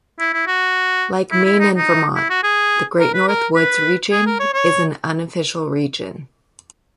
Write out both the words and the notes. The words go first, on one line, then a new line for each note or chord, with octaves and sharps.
Like Maine and Vermont, the Great North Woods region is an unofficial region.
E4
E4
F#4
E4
E4
D#4
D#4
E4
F#4
G#4
A#4
B4
A#4
B4
G#4
A#4
C#5
C#5